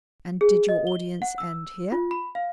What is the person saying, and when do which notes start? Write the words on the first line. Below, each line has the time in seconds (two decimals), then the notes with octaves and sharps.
'And did your audience end here?'
0.41 G#4
0.69 D#5
0.87 G7
1.22 F#5
1.38 E6
1.92 F4
2.11 B5
2.35 F5